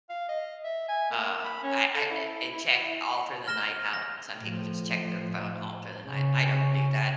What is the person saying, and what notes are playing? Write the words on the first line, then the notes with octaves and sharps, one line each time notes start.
uh, I I, eh, and check all through the night, how some people just check their phone all through the night, I don't do that,
F5
D#5
E5
G#5
A#3
B5
C#4
A4
E4
E4
F6 A#6 E7 G7
A#6
A2 F3
C#3 C#4